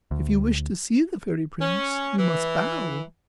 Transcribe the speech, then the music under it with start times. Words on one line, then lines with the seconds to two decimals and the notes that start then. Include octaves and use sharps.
If you wish to see the fairy prince you must bow.
0.11 D2
1.61 C#4
2.19 E3